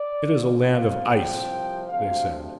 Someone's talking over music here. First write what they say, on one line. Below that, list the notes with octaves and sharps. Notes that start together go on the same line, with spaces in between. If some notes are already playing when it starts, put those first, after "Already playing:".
"It is a land of ice," they said.
Already playing: D5
D2 D3 G3 C4 F4
F5
C2 C3 F3 G5
D2 C3 F3 F5